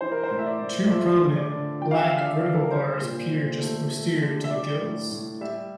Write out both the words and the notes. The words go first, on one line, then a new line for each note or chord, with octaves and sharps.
Two prominent, black, vertical bars appear just posterior to the gills.
E3 C5
A#4
C5
A2
E5
D5
A2
D5
F3 E5
D3
D5
D3
F3 G5
F5
E5
D3 F5
D5
E5
D3
A4
A#4
G3 C5
A#2
A#2
A3
A3
D3
E5
G3 D5
A2
A2
G3 E5